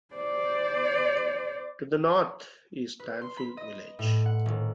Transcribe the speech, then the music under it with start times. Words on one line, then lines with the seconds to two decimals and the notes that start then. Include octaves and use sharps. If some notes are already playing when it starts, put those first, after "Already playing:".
To the north is Tanfield village.
0.14 C5 D5
3.00 B4
3.21 C6
3.37 B5
3.57 D#5
3.99 A2
4.26 F#5
4.46 D#1